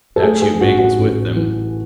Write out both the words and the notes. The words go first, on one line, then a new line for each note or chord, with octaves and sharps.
Now Chiu-Ming was with them.
A4
A3 G#4
G#4
A1 F#4
F#4
A1
E3